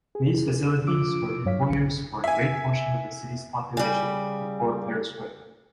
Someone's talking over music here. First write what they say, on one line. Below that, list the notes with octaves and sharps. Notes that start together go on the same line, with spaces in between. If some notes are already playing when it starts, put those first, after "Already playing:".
These facilities were employers for a great portion of the city's population before perestroika.
G#4
F3 F4 D6 E6 D7
G2 F#3 C#5 F5 B6
A#1 C#7
E5 G#5
C#3 G3